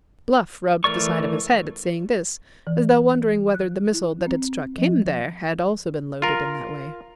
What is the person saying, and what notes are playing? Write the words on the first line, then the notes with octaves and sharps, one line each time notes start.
Bluff rubbed the side of his head at seeing this, as though wondering whether the missile that had struck him there had also been loaded in that way.
E3 A3 A#4 D5 C#6
E3
F#6
E4
C4
F3
F4 A#4